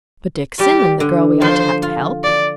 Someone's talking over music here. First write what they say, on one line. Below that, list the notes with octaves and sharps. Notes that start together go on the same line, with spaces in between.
'But Dixon, and the girl we are to have to help?'
G3 G4
D3
F3 C5
F4
D5